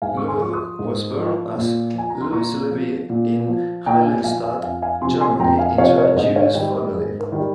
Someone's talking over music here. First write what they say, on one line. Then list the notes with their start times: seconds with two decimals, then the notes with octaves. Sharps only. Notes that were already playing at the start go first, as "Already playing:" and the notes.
Loewe was born as Louis Levy in Heiligenstadt, Germany into a Jewish family.
0.02 G#2 F5 G#5
0.17 C#6
0.28 G#5 C6
0.41 F3 C#6
0.53 C6 D#6
0.79 G#2
1.17 F3
1.56 A#2
1.94 F3 G#5
2.10 A#5
2.21 C6
2.32 A#2 A#5 C#6
2.71 F3
3.10 A#2
3.48 F3
3.86 A#2 G5 A#5
4.05 F5 G#5
4.24 F3 F5 G#5
4.43 F5 G#5
4.63 F2 F5 G#5
4.82 F5 G#5
5.02 C3 F3 G#5 C6
5.21 G#5 C6
5.39 F2 G5 A#5
5.59 F5 G#5
5.78 C3 F3 C#5 F5
5.97 A#4 C#5
6.16 G#2 C5 D#5
6.36 C#5 F5
6.55 D#3 G3 D#5 G5
6.74 A#4
6.93 G#2 G#4
7.20 A#4
7.32 D#3 G3